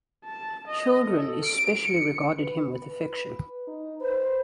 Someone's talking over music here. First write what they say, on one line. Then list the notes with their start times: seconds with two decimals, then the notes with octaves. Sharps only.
Children especially regarded him with affection.
0.25 A5
0.67 D#5
1.08 A4
1.44 D7
1.86 C#7
2.41 B4
3.67 D#4
4.01 B4 C5